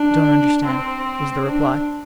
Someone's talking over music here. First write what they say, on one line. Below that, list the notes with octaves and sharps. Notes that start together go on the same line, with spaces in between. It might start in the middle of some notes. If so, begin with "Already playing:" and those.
"I don't understand," was the reply.
Already playing: D4
C4
D4